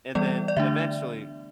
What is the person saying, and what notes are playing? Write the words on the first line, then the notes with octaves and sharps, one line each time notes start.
and then, eventually,
E3 G3 B3 D5
D5
D3 A3 D4 E5